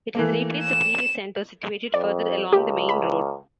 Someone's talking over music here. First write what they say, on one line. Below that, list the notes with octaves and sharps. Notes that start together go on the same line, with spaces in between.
It has replaced the previous centre situated further along the main road.
E3 A3 A#3
E7
F2 D5
C#2 G4
B5